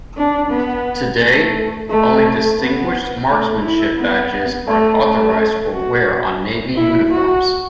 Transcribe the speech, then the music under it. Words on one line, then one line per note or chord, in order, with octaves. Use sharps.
Today, only Distinguished Marksmanship Badges are authorized for wear on Navy uniforms.
D4
B3
A3
A3
B3
A3
E4
B3
A3
A3
F#4
E4
F#4